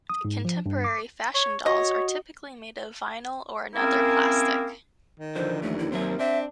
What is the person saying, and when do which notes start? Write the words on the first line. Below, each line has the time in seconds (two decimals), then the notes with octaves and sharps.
Contemporary fashion dolls are typically made of vinyl or another plastic.
0.10 D#6
0.25 G#2
0.45 F3
0.66 G2
0.84 D6
1.34 C#5
1.66 F#4 C#5 D#5
3.75 A#3 C4 C#4 E4 G#4 A#4
5.20 D#3
5.35 D3 E3 F3 C5
5.62 D#2 A3
5.78 E4
5.92 F#3 C4 A#4 E5
6.19 C4 D4 E5